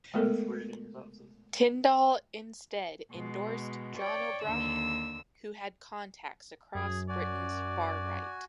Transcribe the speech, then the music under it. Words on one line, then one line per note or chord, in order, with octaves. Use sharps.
Tyndall instead endorsed John O'Brien, who had contacts across Britain's far-right.
G#3 A3 B3 A4 A#4
B2 G#3
C#5 D5 G5
D#2 D3 E6
F#2 G#4
F#4 D5 G#5